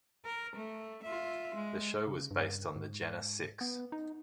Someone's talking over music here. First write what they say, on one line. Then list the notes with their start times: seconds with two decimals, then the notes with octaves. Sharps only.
The show was based on the Jena Six.
0.25 A#4
0.56 A3
1.04 F4 E5
1.55 G#3
2.07 C#3
2.31 G2
2.76 G#2
3.61 B3
3.92 D#4